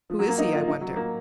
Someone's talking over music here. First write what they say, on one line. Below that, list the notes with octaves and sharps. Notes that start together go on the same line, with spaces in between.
"Who is he, I wonder?"
F3
F#3
A#3
D#4
F4
D#4
F#3
A#3